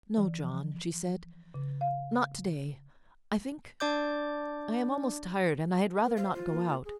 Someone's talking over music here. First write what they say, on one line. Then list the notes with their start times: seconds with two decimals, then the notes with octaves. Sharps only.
"No, John," she said; "not to-day, I think. I am almost tired, and I had rather not go out."
0.18 E3
0.40 F3
1.54 C#3
1.81 F5
3.80 D4 D5 D6 G6
6.05 A#4
6.17 C5 F5
6.35 F4
6.52 A#3
6.85 G#4